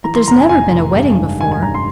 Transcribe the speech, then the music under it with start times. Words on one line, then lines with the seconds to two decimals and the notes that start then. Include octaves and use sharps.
But there's never been a wedding before.
0.04 E3 A#5
0.16 C6
0.28 F1 A#5
0.39 G#5
0.49 F1 G#5
0.72 F1
0.96 G2
1.17 G#1
1.41 G#1 G#5
1.52 G#5
1.62 G2 A#5
1.74 C6